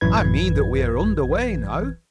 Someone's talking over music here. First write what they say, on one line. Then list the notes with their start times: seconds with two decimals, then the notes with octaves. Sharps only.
"I mean that we're under way now."
0.01 A1 F#2 E3 B4 G#6